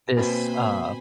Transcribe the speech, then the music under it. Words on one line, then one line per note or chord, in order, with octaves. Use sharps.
This, uh,
B2 A#3 C4 C5 G#5 B5